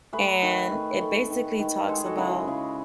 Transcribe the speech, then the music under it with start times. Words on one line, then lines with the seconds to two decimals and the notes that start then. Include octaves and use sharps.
and it basically talks about
0.13 A3 G#4 B4
0.42 D#3
0.72 A3
1.01 A3
1.30 D#3
1.59 D#3
1.88 G#3 A4
1.98 G#4
2.06 F#4 A4
2.18 C#3 E4 G#4
2.47 C#3 E4 G#4